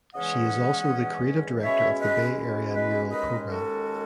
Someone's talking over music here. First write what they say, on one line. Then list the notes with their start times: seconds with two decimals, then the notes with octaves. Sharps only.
She is also the creative director of the Bay Area Mural Program.
0.14 E2 C#3 E3 G#3 C#4 D#5 F#5
1.63 B2 G#3 C#4 E4 C#5 E5
2.00 B4 D#5
2.74 B4 D#5
3.11 D#2 D#3 G#3 C#4 B4 D#5
3.48 F#4 A4